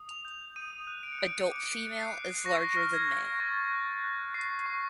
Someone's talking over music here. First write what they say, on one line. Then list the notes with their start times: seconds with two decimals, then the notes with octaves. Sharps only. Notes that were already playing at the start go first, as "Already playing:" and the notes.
Adult female is larger than male.
Already playing: D#6
0.09 F7
0.25 G6
0.56 D#6 D#7
0.87 F#6
1.03 D7
1.12 C#7
1.19 F#6 D7
1.50 D6 C#7
1.82 F#6
1.98 C7
2.13 F#6
2.45 C#6 A#6
2.77 F6
2.93 G#6
3.09 F6
3.40 C#6 A6
3.72 F#6
4.04 F#6
4.34 C#6 C7
4.66 C#6